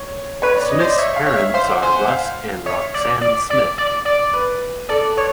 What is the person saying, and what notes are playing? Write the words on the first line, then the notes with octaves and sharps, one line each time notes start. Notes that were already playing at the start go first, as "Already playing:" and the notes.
Smith's parents are Russ and Roxanne Smith.
Already playing: C#5
B4 C#5
D5
D#5
C5
D5
C#5 E5
F5
C#5
E5
C5 F5
F#5
C5 G#5
F#5
F5
C#5 E5
D5
D5
D5
D5
D5
B4
A4 D5
C#5